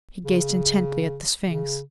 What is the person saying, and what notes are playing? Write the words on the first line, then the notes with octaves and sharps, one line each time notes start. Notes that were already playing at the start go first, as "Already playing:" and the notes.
He gazed intently at the sphinx.
C#3
C#3